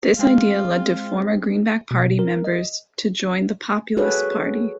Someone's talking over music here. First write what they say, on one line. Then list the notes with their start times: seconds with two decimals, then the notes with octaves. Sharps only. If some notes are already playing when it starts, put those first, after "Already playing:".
This idea led to former Greenback Party members to join the Populist Party.
0.19 G#3 C4 F4
1.91 B2
2.19 A#4
2.44 D#5
3.97 F#4 G#4 A4 B4 C#5